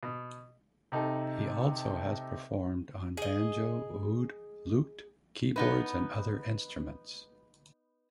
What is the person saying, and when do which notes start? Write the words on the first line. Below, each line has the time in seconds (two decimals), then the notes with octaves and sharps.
He also has performed on banjo, oud, lute, keyboards and other instruments.
0.03 B2
0.92 C3 D#4 A4
3.17 G#4 D#5
5.56 B3 D#4 B4